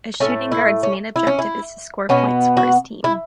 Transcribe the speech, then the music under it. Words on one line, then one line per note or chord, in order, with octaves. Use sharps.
A shooting guard's main objective is to score points for his team.
A2 A3 C#4
E4
C#4
E4
C#4
E4
B2 B3 C#4
F#4
E4